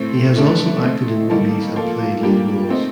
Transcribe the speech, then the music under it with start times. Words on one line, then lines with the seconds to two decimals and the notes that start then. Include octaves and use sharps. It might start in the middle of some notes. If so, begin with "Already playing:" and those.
He has also acted in movies and played lead roles.
Already playing: A2 A3 C4
0.36 D3 A3 D4
0.83 A3 C4 D#4
1.30 D#3 G3 A#3 D#4 A4
1.75 F3 A#3 F4 A4
2.21 A#2 G3 A#3 D4 G4
2.69 A3 C4 D#4